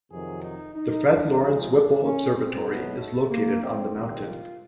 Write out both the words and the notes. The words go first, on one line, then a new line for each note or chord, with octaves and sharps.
The Fred Lawrence Whipple Observatory is located on the mountain.
F2 C3 D#3 F#3 G#4
D#4
D#4
D4
C#2 C3 F3 G#3 D#4
D4
C#4
C4
B1 B2 F#3 A3 B3
A3
A#3
C4
C2 C3 D#3 C4
F4